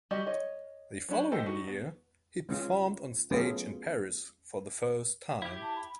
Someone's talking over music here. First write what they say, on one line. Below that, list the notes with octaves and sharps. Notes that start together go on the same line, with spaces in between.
The following year, he performed on stage in Paris for the first time.
G3 F#4 G4 D5 D#5
C#5 D#5
F#3 C#4 D4 G4 B5
G4 A4 C5 D#5 G5
D#4 F#4
B3
G#3 C#4 F4
F#3 A3 B3 C#4 F4 G#4
E4 G4
A5
B5